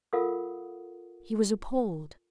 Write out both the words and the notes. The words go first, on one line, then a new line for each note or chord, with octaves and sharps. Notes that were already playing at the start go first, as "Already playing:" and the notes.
He was appalled.
F4 A4 A#4 F5 F#5 D#6